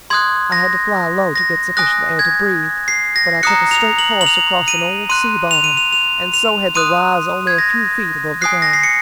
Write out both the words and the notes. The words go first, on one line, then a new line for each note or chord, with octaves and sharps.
I had to fly low to get sufficient air to breathe, but I took a straight course across an old sea bottom and so had to rise only a few feet above the ground.
C6 D#6 F#6 G#6
A#6
A#6
G#5 D#6 F#6 A#6
G#6
C7
A#6
A#5 D#6 F#6 C#7
F7
F#7
F#7
F7
D#7
C6 F#6 D#7
F7
D#7
F7
F7
F7
C6 D#6 F#6 D#7
G#6
A#6
G#5 D#6 F#6 C7
A#6
C7
C#7